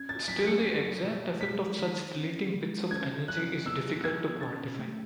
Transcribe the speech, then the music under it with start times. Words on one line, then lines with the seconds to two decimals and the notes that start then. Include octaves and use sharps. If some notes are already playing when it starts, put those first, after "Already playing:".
Still, the exact effect of such fleeting bits of energy is difficult to quantify.
Already playing: C#4 G#6
0.09 A6
0.28 F#3 B6
0.38 B6
0.47 C#7
0.66 F#3
1.03 B2
1.40 G#3 B6
1.79 D#3
2.15 C#4
2.54 G#3
2.91 C#4 G#6
3.28 F#3 F#6
3.66 B3 E6
4.03 E3 G#6
4.41 C#4 A6
4.79 A3